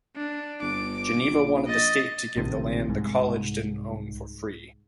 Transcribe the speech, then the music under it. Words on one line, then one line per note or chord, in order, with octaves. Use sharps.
Geneva wanted the state to give the land the college didn't own for free.
D4
G1 D6
A#1
D#5 A6
A#1 A2 C3 D#3
C2 G#2